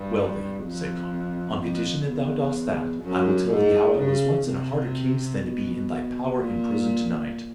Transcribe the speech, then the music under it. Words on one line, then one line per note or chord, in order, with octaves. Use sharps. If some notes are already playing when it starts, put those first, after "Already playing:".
"Well then," said Conall, "on condition that thou dost that, I will tell thee how I was once in a harder case than to be in thy power in prison to-night."
Already playing: G2
F2
F2
E2
F#2
G#2
C#3
C3
B2
A#2